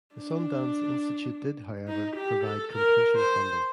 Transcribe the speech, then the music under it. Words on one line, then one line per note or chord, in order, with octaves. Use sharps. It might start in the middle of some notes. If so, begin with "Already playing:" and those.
The Sundance Institute did, however, provide completion funding.
D4
D#4
G4
A4
A#4
C5